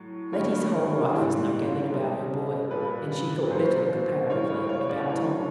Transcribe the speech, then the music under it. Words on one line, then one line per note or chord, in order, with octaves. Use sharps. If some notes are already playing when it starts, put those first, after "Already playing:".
Letty's whole life was now gathered about her boy, and she thought little, comparatively, about Tom.
Already playing: A2 F#3
G2 D3 F#3 C#5
G#2 E3 G3
B2 G3
A#2 G3 B4
A#2 F#3 C5
G2 E3 G3 C#5
C#5
C#5
D5
A2 F#3 C#5